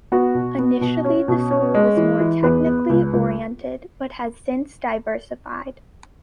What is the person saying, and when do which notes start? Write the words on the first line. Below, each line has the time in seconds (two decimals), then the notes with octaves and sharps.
Initially the school was more technically oriented but has since diversified.
0.12 B3 F#4 F#5
0.35 B2
0.59 B3
0.81 B2
1.04 C#4
1.28 B2
1.51 C#4
1.74 G#3
1.97 E3
2.20 E3
2.43 E2 B3 B4
2.66 B3
2.89 C#2
3.13 C#2